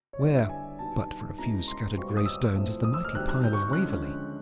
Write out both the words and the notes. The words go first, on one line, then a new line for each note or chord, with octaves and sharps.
Where, but for a few scattered gray stones, is the mighty pile of Waverley?
C#5
D3 G3 B3 E4 D5
E5
G#5
B2 G3 B3 D#4 A5
B2 G#3 C#4 E4 A#5
C6
B2 G3 C4 F4 C#6
D#6
E6
A2 F3 A3 C4
D#6
E6
F6
D2 C3 D#3 G3 F#6
F#6
G6
C#6
D3 F3 G#3 C#4 F#6